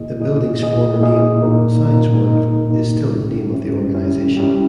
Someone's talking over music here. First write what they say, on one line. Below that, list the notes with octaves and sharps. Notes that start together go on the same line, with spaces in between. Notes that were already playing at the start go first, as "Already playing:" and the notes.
The building's former name, Science World, is still the name of the organization.
Already playing: A#2 A#3 E4 G#4 D#5
A#2 A#3 E4 G#4 D#5
A#2 A#3 E4 G#4 D#5
A#2 A#3 E4 G#4 D#5
A#2 A#3 D#4 A#4
A#2 A#3 D#4 A#4
A#2 A#3 D#4 A#4
A#2 A#3 D#4 A#4
G3 C#4 E4 G4
G3 C#4 E4 G4
G3 C#4 E4 G4
G3 C#4 E4 G4